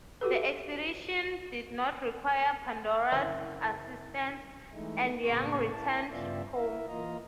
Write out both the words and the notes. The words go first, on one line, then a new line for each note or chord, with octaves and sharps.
The expedition did not require "Pandora's" assistance, and Young returned home.
F#4 G4 A4 B4
F#1 E3 C4 C#4 E5 E6 F#7
E3 G#3 A3 D#4 E4
A2 C#3 A#3 B3 G#4 C#6
E4 A5
G2 C#3 B3 F4 D5 E5
E4 A#4 E5
E3 A#3 F4 D#5 A#5